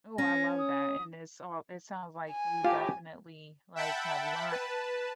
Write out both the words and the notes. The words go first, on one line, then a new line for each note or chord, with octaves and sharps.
Oh, I love that and it's all it sounds like you definitely, like, have learned,
C#4 A#6
D#6
G#5
A2 F4 G4
E5 F#5 G5 A5 B5
B4 A5